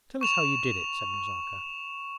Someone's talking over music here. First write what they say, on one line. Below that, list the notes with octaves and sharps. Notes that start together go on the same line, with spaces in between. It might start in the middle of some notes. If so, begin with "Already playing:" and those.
Tell us how you did it!' said Nazarka.
C#6 E7 F7